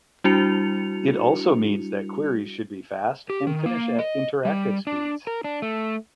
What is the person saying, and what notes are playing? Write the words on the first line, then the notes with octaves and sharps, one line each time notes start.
It also means that queries should be fast and finish at interactive speeds.
G3 D4 E4 F#4 C#7 F7
G4
D#3
A#3
D#5
G3
D4
A#4
D4
A3